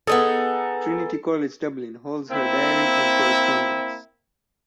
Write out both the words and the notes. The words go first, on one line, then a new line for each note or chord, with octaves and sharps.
Trinity College Dublin holds her diary and correspondence.
B3 D#4 G#4 A4
A#3 C4 E4